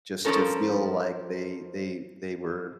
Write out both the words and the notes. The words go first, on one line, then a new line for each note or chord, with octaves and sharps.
just to feel like they they they were,
F2 F3 A#3 C#4 A4 A#4